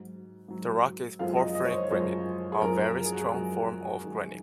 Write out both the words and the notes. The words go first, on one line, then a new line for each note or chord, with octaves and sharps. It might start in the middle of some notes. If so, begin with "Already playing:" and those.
The rock is porphyritic granite, a very strong form of granite.
Already playing: G#2 F#3
G#2 F#3
F#2 F3 G#3 F5
D#5
D#5
C#5
C5
F#2 F3 G#3 C5
G#4
F#2 F3 G#3 A#4
A#4
G#4
F#4
G#4
F#2 F3 G#3
F#2 D#3 G#3